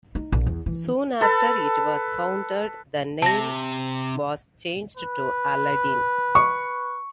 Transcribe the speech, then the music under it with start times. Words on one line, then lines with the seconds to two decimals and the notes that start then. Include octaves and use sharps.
Soon after it was founded, the name was changed to Aladdin.
0.15 D#4
0.32 A#1
0.46 E2
0.66 E3
1.21 A4 B4
3.22 C3 A5 A#6
4.97 B4
6.35 C#6